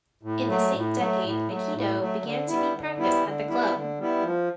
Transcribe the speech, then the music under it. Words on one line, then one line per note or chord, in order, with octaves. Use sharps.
In the same decade aikido began to be practiced at the club.
A2
F#3 A3
A2
F#3 A3
A2
F#3
A3
A2
F#3 A3
D3
G3 B3 E4
D3
G3 B3 E4
D3
G3 B3 E4
D3
G3 B3 E4
F3